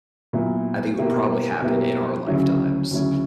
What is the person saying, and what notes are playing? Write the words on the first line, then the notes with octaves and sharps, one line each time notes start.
I think it would probably happen in our lifetimes.
A#2 F#3 B3 E4
B2 A#3 E4 G4
B2 A#3 E4 G4
D2 C#3 F#3 C#4 E4
D2 C#3 F#3 C#4 E4